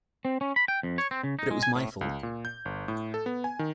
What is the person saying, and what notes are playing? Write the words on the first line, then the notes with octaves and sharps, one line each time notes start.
But it was my fault.
C4
C#4
B5
G5
F2
C#5
C4
C#3
D#4
G#3
G#5
A2
C#2
A#2
G6
G1
A2
A4
B3
G#5
D#3